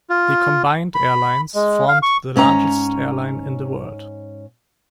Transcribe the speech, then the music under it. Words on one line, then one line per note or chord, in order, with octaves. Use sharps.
The combined airlines formed the largest airline in the world.
F4
B5
G#3
F5
C#6
G#2 C#4 C#5 A#5